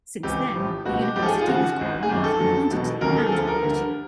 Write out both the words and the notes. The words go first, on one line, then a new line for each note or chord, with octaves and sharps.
Since then, the university has grown both in quantity and quality.
C#2 C3 E3 G4
A1 A2 F3
C#2 B2 G3 F#4
G4
A1 G#2 F3 G#3 G4
A4
G#4
G#4
F4
D#2 C#3 F3 F#4
G#1 G#2 D#3
G#4
G#1 F#2 D#3 G3 G4
A4
F2 D3 F#3
E1 E2 B2 F#3
E1 D#2 C#3 F#3 A#4
A4
G#4
D2 D3 F3 A4
A#4
D2 D3 G3